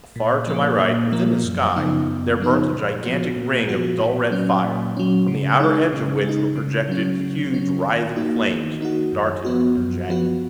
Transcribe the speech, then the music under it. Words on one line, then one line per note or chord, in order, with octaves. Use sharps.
Afar to my right, within the sky, there burnt a gigantic ring of dull-red fire, from the outer edge of which were projected huge, writhing flames, darted and jagged.
A#2
F3 A#3
A#2
F3 A#3
F#2
C#3 F3 B3 D#4
F#2
C#3 F3 B3 D#4
A#2
F3 B3 F#4
A#2
F3 B3 F#4
A#2
F#3 C#4
A#2
F#3 C#4
C#3
G#3 D#4
C#3
G#3 D#4
C#3
F#3 C#4
C#3
F#3 C#4
D#3
A#3 D#4 F#4
D#3
A#3 D#4 F#4
F#2
F3 B3 F#4
F#2
F3 B3 F#4